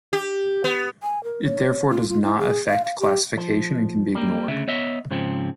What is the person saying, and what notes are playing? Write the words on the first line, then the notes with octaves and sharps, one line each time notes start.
It therefore does not affect classification and can be ignored.
G4
B3
G#5
A#4
C#5
F4
F4
E4
G#4
F5
F5
G4
F3
G3 A#3
D2 C#3 E5
B3 C#5 D#5 E5
G#2 C#3 F3 C4